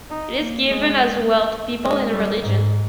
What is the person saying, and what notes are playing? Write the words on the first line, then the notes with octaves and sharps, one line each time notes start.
It is given as well to people in religion.
D#4
A#3
G#3
G#3
G3
G#2